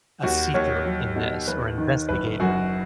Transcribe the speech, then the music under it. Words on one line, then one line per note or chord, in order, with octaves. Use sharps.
a seeker in this, or investigator?
D#2 F#4
D#2 C#5
F#3
B2
D#2 B4
D#3
F#1 B4
F#2 F#4